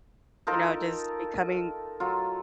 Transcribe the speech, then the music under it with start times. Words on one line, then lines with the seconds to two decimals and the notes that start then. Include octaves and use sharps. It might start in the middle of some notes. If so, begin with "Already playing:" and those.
you know just becoming
0.47 D#4 F4 A4 A#4
2.00 F#3 F4